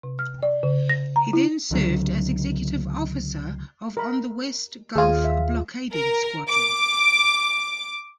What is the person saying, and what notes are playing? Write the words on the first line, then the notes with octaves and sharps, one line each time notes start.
He then served as executive officer of on the West Gulf Blockading Squadron.
C3
F6
D5
C#3
A#6
A#5
E4
C#2 D3 E3 F#3
A#4 B5
D#2 F4 G#4 C5 G#5
E5
A#4
D6